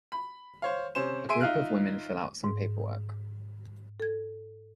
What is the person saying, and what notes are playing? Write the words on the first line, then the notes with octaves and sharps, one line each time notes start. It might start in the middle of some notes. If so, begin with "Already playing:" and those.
A group of women fill out some paperwork.
B5
C5 C#5 F5
C3 C#4 C5 E7
G#4 E5 C6 D7 D#7
D#4 F4 E5 F5 F6 F#6
G#2
A4 G#6